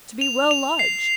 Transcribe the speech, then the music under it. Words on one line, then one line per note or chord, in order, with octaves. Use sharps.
To be well lodged!
F7
F7
C7